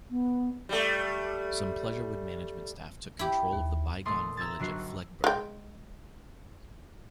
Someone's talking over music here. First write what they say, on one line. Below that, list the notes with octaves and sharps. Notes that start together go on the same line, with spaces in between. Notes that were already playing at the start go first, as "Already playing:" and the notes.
Some Pleasurewood management staff took control of The Bygone Village at Fleggburgh.
B3
G3 A3
E4 G4
D#2
D#1 A3 C6 D#6
A#5 E6 G#6 A6
G1 F#3 F#4 C7
G#3 G5